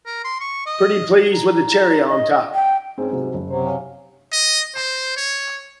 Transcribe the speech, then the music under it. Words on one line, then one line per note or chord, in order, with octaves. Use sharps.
Pretty please with a cherry on top!
A#4
C6
C#6
D#5
A#5
D#5
G5
G#2 C4 C#4
C3 F#3
F#1
C3 F#3 C5
C#4 F5
D#5
C5
C#5